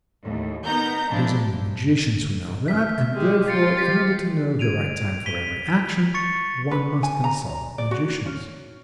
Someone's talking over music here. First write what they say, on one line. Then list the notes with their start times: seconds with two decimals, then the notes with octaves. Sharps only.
It is only magicians who know that; and, therefore, in order to know the right time for every action, one must consult magicians.
0.22 D#2 A2
0.64 B3 D#4 A#4 A#5 G6
1.10 F3 G#3 D4 E4
2.68 E5 F6 B6
3.15 G#3 G4
3.48 F4 A6 C#7
3.77 G4 A6 B6 C7
4.59 G#6 D7 D#7 F7
5.26 B6 D#7 G7
6.14 C#6 A6 C#7
6.71 B4
7.03 G#5
7.24 A#5
7.78 D5
7.91 F#4
8.26 C#4